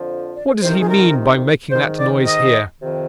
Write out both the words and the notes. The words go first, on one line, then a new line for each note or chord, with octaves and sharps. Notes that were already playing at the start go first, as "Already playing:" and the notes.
'What does he mean by making that noise here?'
Already playing: F2 D3 F3
D5
F2 C3 D#3 C5
A#4
G#4
A#4
G#2 D#3 C5
D5
D#5
F2 C3 D#3